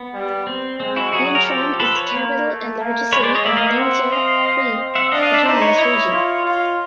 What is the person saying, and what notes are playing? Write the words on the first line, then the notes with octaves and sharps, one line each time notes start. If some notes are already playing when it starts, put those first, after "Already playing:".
Yinchuan is the capital and largest city of Ningxia Hui Autonomous Region.
Already playing: B3
G3
C4
G#3 C4
E4 F#4
F#3 F#4 G#4
A#4
F3 G4 A4
A4 B4
B4 C#5
A#3
A3
A#3
G#3 B4 C#5
C5 D5
C#5 D#5
A#3 D5 E5
D#5 F5
E5 F#5
C4
D#5 F5
D#5 F5
C4
E5 F#5
D4 D#5 F5
D#5 F5
D5 E5
D#4 C5 D5
B4 C#5
E4 C#5 D#5
F4
F4